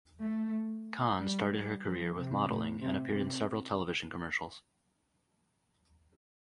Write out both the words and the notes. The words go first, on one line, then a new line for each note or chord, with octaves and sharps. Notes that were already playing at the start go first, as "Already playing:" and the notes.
Khan started her career with modeling and appeared in several television commercials.
A3
G3
G3
F3
C3
A2
C3
C3